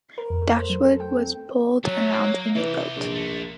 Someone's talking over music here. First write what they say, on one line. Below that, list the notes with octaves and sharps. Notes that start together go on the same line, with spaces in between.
Dashwood was pulled around in a boat.
A#4
F2
A3
C5
F#3
A4
G5
C4
F#3 A3 C#4
A#3
C2 E3 G4
A#1
D3 A3